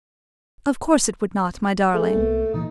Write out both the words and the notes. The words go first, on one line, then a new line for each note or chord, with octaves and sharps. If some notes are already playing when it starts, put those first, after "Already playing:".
"Of course it would not, my darling."
A3 G#4
C2 A#3 B3
A#2 E3 D#4